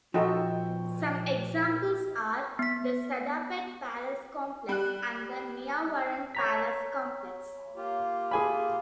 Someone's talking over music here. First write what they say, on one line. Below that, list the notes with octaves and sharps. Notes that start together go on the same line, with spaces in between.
Some examples are the Sa'dabad Palace Complex and the Niavaran Palace Complex.
A#2 F3 D#4 F#4 A4 G5 C#6
B3 B6
G3 F#6
C#5 A#5 B6
A#3 F4 G4
G#4 G#5 B5